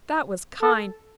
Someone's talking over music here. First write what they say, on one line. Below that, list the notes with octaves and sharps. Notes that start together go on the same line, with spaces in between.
That was kind.
A4